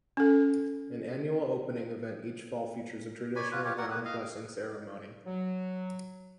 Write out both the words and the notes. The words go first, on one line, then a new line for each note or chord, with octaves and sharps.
An annual opening event each fall features a traditional ground blessing ceremony.
C#4 A4
C#5 D5 G#5 B5
F4 F#4 B4
F4 G4 C#5
F#4 A#4 D5 F#5
A#3 B4
D#5 F5
F#3